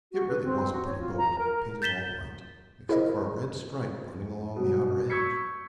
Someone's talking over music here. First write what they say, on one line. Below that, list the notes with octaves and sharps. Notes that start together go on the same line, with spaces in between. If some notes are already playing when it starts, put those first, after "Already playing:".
It really was a pretty boat, painted all white, except for a red stripe running along the outer edge.
F#4
B4
C4
F#4
C#5
F4
A#5
A#4
G6 A6 B6 E7 G7
E4 G#4 A#4 C5 D#5
B2 F#3
C#6 E6 G6 G#6 B6 C#7